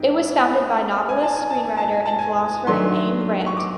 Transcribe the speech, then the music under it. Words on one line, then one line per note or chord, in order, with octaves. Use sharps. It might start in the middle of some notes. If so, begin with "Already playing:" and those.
It was founded by novelist, screenwriter, and philosopher Ayn Rand.
Already playing: G#2 E3 G#3 C4 D#4
G#5
A5
G#5
A5
G#5
A5
G#5
A5
G#5
D#3 F#3 A3 D4 C6
C#6
D6